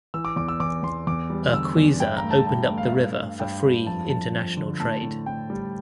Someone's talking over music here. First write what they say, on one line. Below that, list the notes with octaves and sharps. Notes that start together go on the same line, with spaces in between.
Urquiza opened up the river for free international trade.
E3 E6
D6
E2 D6
E6
E2 D6
E2 C6
E2 D6
G3
D3 E6
E2
G2 G5
A#5
A3
A5
G2 A5
A3
F5
E5
G2 F5
G2
G2 G5
G2
F2 A5
F2 A5
F2
D3
A2 A5
A2
A2 G5
G3